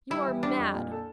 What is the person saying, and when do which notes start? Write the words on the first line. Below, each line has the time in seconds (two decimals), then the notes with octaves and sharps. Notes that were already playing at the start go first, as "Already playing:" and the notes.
'You are mad!
0.10 G3 E4
0.28 E3
0.43 G3 D4
0.58 F2
0.75 A#2
0.91 A4